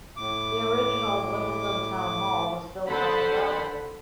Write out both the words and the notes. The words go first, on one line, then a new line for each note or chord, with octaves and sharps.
The original Wimbledon Town Hall was built on The Broadway.
A2 D6
D3 A4 C5 F#5 B5